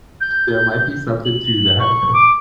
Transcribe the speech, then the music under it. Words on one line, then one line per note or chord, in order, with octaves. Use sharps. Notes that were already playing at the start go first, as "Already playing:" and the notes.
there might be something to that.
G6
F#7
C#6
D6